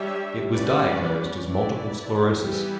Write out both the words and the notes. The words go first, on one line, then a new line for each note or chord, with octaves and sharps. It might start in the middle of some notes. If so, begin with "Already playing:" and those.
It was diagnosed as multiple sclerosis.
Already playing: G3 D4 G4 C#5 E5
G3 C#4 F#4 B4 D5
A3 E4 B4 D5
E3 G3 B3 E4 G4